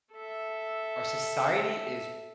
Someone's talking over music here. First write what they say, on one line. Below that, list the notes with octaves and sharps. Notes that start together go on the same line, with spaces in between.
our society is
A4 E5